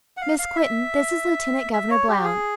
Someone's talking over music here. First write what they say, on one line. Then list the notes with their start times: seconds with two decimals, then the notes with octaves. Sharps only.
Miss Quinton, this is Lieutenant-Governor Blount.
0.17 F#5
0.22 F5
0.39 F5
0.56 E5
1.73 E5
1.91 C#5
2.08 G4
2.24 G#4